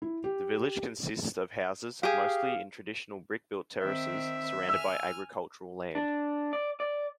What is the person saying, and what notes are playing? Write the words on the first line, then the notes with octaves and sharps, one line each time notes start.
The village consists of houses, mostly in traditional brick-built terraces, surrounded by agricultural land.
E4
G4
G4 G#4 F5
D#3 C4 E5
G#5 E6 F6
D4
D5
D5